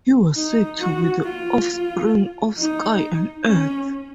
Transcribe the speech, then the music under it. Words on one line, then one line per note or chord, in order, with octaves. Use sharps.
He was said to be the offspring of Sky and Earth.
D#4
F#4
F4
D#4
C#4